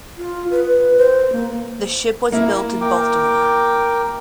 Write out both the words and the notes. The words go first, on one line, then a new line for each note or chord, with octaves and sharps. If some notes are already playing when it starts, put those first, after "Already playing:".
The ship was built in Baltimore.
F4
B4
C5
A#3
A#3 E4
A#4 G5 D6